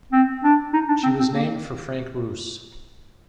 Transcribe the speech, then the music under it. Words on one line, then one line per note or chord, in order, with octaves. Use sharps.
She was named for Frank Bruce.
C4
D4
D#4
D4
C4
C4
A#3